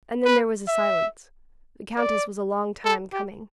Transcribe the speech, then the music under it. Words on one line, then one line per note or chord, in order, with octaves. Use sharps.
And then there was a silence; the Countess was a long time coming.
B4
E5
D5
A4
G4